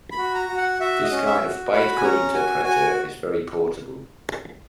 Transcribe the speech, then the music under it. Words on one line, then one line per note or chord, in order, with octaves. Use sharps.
This kind of "bytecode interpreter" is very portable.
B5
F#4
A#5
F#4
F#5
F#4 E5
D#5
C#4
E5
F#4
F#4 B5
G#5
C#4 A#5
F#4 G#5
F#4 G#5